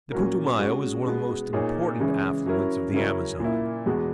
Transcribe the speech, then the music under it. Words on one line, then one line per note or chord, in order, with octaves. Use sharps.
The Putumayo is one of the most important affluents of the Amazon.
A#2 F#3 C#4 F#4 A#4
G#3 C#4 F#4
B2 G#3 B3
A#2 A#3 D#4 G#4 C#5
C#3 E3 G#3 C#4 G#4
F#3 C#4 E4 A#4
C#3 F#3 C#4 E4 A#4
A#2 A#3 E4
E2 B2 G#3 B3 F#4